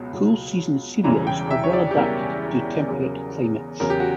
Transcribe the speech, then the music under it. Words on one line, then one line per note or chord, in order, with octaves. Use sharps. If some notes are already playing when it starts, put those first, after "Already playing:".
Cool-season cereals are well-adapted to temperate climates.
Already playing: C#2 B2 F#3
C#2 B2 F#3
E1 E2 C#3 E3 G3 A#5
G5
E5
C#5
D5
G4
E1 E2 C#3 E3 G3 A#4
E2 C#3 F#3
E2 C#3 F#3 A#4
G4
F#4